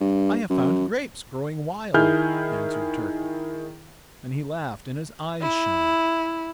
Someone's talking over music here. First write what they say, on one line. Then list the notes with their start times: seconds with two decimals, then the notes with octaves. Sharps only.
"I have found grapes growing wild," answered Tyrker, and he laughed, and his eyes shone.
0.01 G2
0.50 F#2
1.94 D#3 E4 G#4 F6 G6
5.41 E4